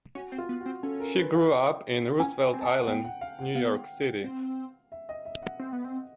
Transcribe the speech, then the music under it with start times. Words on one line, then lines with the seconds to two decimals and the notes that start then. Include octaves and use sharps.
She grew up in Roosevelt Island, New York City.
0.15 C#4 F#4
0.32 C4
0.38 F4
0.49 B3
0.61 C4 F#4
0.83 C#4 A4
1.00 A#4
1.17 B4
1.34 F5
1.51 G5
2.20 C#4 G#5
2.54 C4
2.61 A5
2.65 G#5
2.82 F#5
2.88 B3 G5
3.05 F#5
3.21 F5
3.39 F#5
3.55 B3 F5
4.24 C4
4.92 E5
5.09 D#5
5.26 E5
5.43 F#5
5.60 C4
5.73 B3
5.84 C4